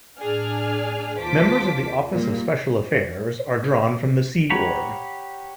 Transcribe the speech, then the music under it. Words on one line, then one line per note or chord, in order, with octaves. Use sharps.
Members of the Office of Special Affairs are drawn from the Sea Org.
A2 D4 G#4 D5 G#5 F6
D#2 F4 C5 A5 D6 B6
A#2 G3
G4 C#5 F#5 A#5 B5